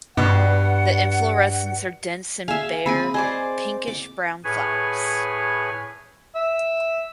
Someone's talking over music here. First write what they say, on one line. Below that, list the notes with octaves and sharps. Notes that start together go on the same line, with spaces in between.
The inflorescences are dense and bear pinkish brown flowers.
G2 B2 F#5
G#4 E5 F5
C4 G#4 G#5 B5
G#4 C5 D5 D#5
D6
A2 G#4 B4 C#5 G#5
E5